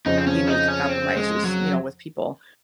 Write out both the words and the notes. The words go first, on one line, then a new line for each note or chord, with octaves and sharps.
we make compromises, you know, with people.
F2 C#3 F3 D#4
C4
C#4
D#4
C#4
C4
G#3
F#3